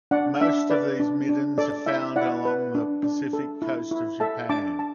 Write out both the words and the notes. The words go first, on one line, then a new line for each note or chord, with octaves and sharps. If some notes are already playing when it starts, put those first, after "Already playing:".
Most of these middens are found along the Pacific coast of Japan.
D4 D5 F#5
D4 E5
B4 D5
D4
D4
A4 D5
E4 E5
E4 D5 F#5
B4
D4
D4
A4
E4
E4
A4 E5 A5
D4 A5 D6
A5